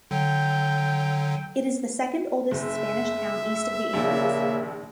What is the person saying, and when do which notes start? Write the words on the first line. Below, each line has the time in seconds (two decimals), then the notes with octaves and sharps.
It is the second oldest Spanish town east of the Andes.
0.11 D3 F#3 G5
2.51 F#1 E5
3.93 A#1 D#2 C#3 A#3